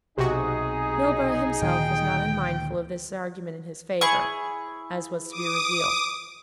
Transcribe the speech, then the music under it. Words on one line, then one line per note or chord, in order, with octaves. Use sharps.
Milburgh himself was not unmindful of this argument in his favour, as was to be revealed.
B1 C3 D#4 F#4 G#4
D2 A#2 D#3 G5
E4 G#4 C#6
D6 D#6